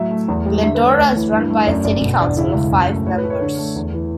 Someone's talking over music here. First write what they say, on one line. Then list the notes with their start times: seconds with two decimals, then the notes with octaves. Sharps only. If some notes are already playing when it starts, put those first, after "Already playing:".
Glendora is run by a City Council of five members.
Already playing: A2 F#3 E5
0.11 A3
0.28 E2
0.46 G3
0.63 D3 E5
0.75 B4
0.81 A3
0.86 C#5
0.97 D2
1.16 E3
1.33 G2
1.50 A3
1.67 F#2 D5
1.84 G1 D5
2.01 B2
2.19 E2 D4
2.37 C#3 E4
2.54 C#2
2.72 F#2
2.89 A3
3.06 A2 C#5
3.18 B4
3.23 A3
3.30 C#5
3.41 D3
3.58 A3
3.76 E2
3.93 E3